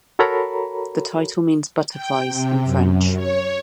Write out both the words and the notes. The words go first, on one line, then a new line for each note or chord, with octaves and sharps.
The title means 'butterflies' in French.
F#4 A4 A#4 C#5 A#5 B5
G5
C3
F#2
C#5